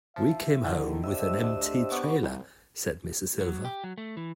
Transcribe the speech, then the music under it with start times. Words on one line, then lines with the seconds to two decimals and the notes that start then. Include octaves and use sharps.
We came home with an empty trailer said Mr. Silva.
0.16 F3 E5
0.65 A#1 D3 D#3 E4
1.04 D4 G4 C5 D#5 E5 E6
1.44 D2
1.90 B3 C#6 D6
2.23 C2 G3
3.41 F#3
3.65 G4
3.84 F#3
3.98 A3
4.17 E3